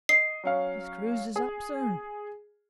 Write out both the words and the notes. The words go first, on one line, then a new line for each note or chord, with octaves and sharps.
His cruise is up soon!
D#5 C7
F#3 C#4 F5
G#4